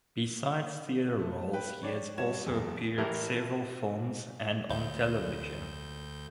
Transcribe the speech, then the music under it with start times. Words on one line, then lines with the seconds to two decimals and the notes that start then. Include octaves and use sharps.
Besides theatre roles he has also appeared several films and on television.
1.19 A3
1.53 B4 G5
1.83 C#5 D5 G5
2.17 G2 C#5 G#6 E7
2.46 F#1 E2
2.98 A1 A2 E3 E4 G4 A#4
4.70 D2 G6